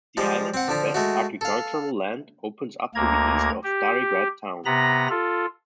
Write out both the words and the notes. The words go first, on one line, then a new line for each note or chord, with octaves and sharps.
The island's best agricultural land opens up to the east of Stari Grad town.
F3 G3 G#3
C4 F#5
D3 F3 D4
G#3 A3 F#4
A4 F5
D2 A#3 A#5 G#6
G4
C3 B3 A#5 B5 A#6
F4 A4